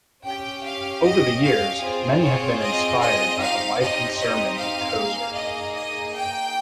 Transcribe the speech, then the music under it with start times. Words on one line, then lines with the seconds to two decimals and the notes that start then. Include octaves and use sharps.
Over the years many have been inspired by the life and sermons of Tozer.
0.25 C#4 G4 G5
0.64 F5
1.03 D#5
1.42 F5
1.82 C4 F4 G#4
2.20 C#5
2.59 D#5
2.99 D#5
3.38 C4 D#4 G4 F5
3.78 D#5
4.16 D#5
4.57 F5
4.95 A#3 D#4 G#4
5.34 D#5
5.74 D#5
6.13 G5